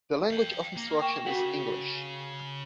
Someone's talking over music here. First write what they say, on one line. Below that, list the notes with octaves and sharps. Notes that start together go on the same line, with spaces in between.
The language of instruction is English.
F5 G5
A#3
G5 C#6 E7
C#3 F#4 A#4 B6 F#7